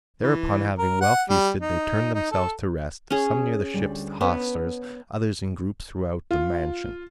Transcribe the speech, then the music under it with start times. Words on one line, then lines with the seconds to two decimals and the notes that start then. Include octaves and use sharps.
Thereupon having well feasted they turned themselves to rest, some near the ship's hawsers, others in groups throughout the mansion.
0.23 E3
0.78 A#4
1.01 F#5
1.29 G3
1.61 D#4
2.15 D#4
2.32 A4
3.10 C#4 G#4
3.74 D2 G#2 G3
4.21 B3 B4 C#5 A5
6.31 F4